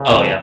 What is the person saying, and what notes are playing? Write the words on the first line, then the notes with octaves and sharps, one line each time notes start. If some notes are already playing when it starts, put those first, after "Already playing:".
Oh, yeah.
Already playing: C#3
F2